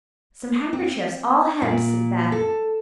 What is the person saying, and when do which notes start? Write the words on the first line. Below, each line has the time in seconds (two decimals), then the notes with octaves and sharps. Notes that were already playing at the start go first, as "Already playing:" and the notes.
"Some handkerchiefs, all hemmed," said Beth.
0.73 C4
1.62 A#2
2.32 A4